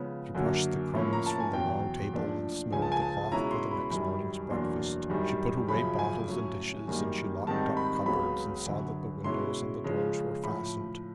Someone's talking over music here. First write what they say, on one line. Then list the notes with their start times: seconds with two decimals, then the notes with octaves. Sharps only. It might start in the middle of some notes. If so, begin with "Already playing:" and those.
She brushed the crumbs from the long table, and smoothed the cloth for the next morning's breakfast; she put away bottles and dishes, and she locked up cupboards, and saw that the windows and the doors were fastened.
Already playing: C#3 F3 G#3 B3
0.35 F#2 D3 F#3 A#3
0.94 A2 F3 A#3 C#4 E4
1.13 A#5
1.26 A5
1.40 G#5
1.53 E2 B2 F#3 G5
2.13 A#2 F3 A3 D4
2.72 C#2 C#3 F3 G#5
2.82 A5
2.92 G#5
3.02 A5
3.32 B2 G#3 C#4 E4 A#5
3.51 C6
3.71 B5
3.91 F#2 D#3 G3 B5
4.50 E2 B2 F#3 A#3 D4 C6
5.09 F#2 D#3 G3
5.68 F#2 C#3 F3 B5
5.99 G#5
6.28 A2 F#3 A3 C#4
6.88 F#2 D#3 G3 A#3
7.47 G#2 D#3 G3 C4 D#4 A5
7.77 B5
8.06 C#2 C#3 F#3 B3 B5
8.66 F#2 D3 F#3
9.24 B2 G#3 C#4 E4 C6
9.84 C#3 F3 G#3
10.44 A2 F3 A3 B5